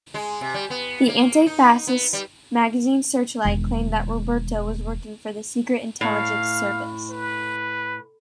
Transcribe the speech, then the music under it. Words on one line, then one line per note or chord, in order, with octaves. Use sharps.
The anti-fascist magazine "Searchlight" claimed that Roberto was working for the Secret Intelligence Service.
G#3
C3
G3
B3
A#3
D#4
B3
G3
E1 D#3
A2 F5
B4